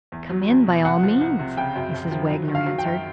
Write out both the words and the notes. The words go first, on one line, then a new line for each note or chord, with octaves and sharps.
"Come in by all means," Mrs. Wagner answered.
E2
F#3
E2
B2
C2 F#5
F3
C2
C3
C#3 G5
F#2
F#2
F3
F#3
D#3
F5
F#3
G5
F#2